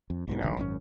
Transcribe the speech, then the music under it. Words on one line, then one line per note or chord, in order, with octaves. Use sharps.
you know.
F2
B1 G#2 B2
E1 C2 D3 D#3
G#1 F#2 C4 C#4